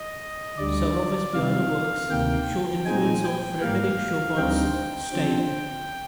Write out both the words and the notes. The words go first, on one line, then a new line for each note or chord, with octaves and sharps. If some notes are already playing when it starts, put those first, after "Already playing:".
Some of his piano works show influence of Frederic Chopin's style.
Already playing: D#5
D2 D3 G3 D5
C3 D#3 G3 F5
D2 C3 D#3 A#3 G5
A#2 F3 G#3 C4 D#4 G#5
G5
G#2 G3 A#3 F5
D2 D3 G3 C4 D#4 G5
D3 F3 C4